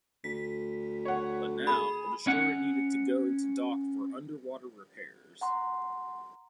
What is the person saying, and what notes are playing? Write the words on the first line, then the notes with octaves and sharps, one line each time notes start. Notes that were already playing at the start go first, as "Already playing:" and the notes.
But now the destroyer needed to go into dock for underwater repairs.
D2 B6
C#5 F#5
G#4 B5
C#4 F#5
F#5 A#5 C6